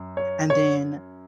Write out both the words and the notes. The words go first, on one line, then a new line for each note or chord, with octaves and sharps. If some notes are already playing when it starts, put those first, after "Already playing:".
and then
Already playing: F#2
C#5
C#5